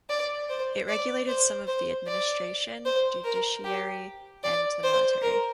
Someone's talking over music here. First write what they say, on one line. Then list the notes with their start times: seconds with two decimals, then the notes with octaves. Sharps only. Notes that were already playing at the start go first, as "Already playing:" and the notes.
It regulated some of the administration, judiciary and the military.
0.10 D5
0.49 C5
0.88 D5
1.28 C5
1.68 C5
2.07 D5
2.85 C5
3.24 A#4
3.64 G4
4.44 D5
4.83 C5
5.22 A#4